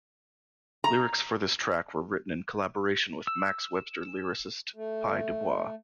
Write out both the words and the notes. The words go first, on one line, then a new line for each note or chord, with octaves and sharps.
Lyrics for this track were written in collaboration with Max Webster lyricist Pye Dubois.
A#5
E6
A3